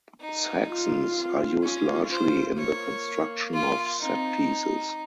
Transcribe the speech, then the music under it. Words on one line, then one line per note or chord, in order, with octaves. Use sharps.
Saxons are used largely in the construction of set pieces.
D#4
F4
C4
C#4 F4
C5
A#3 C#5
F4
C4 D#4